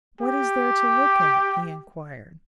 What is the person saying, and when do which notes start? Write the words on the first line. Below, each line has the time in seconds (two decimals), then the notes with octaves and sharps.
"What is there to look at?" he inquired.
0.21 G4